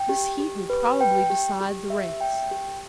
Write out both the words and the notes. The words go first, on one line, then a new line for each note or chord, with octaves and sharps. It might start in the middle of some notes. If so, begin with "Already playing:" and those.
This heat will probably decide the race.
Already playing: G5
G4
G4
B4
G5
G4
G4
E5
G5
G4